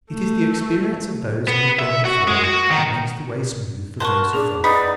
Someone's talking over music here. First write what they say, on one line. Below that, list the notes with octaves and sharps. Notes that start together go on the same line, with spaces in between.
It is the experience of those who have gone before that makes the way smooth for those who follow.
A3
B3
E5
F#4
G#3
F#4
D#3
A#4 F#5 A5 C6 C#6
D4 G#4
B3 D#4 D5 B5